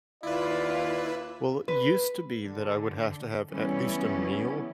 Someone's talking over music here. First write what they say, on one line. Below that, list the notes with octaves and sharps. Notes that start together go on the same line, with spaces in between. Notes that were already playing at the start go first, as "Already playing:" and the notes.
Well, it used to be that I would have to have at least a meal,
D#2 E4 F4 B4 D5
B4
D3
C#3 E3 G3 B3 C#4 E4